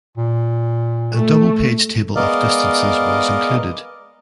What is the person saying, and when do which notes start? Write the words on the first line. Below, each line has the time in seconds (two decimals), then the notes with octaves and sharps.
A double page table of distances was included.
0.17 A#2
1.14 A3
2.16 G#3 B3 A#4 D5 D#5 F5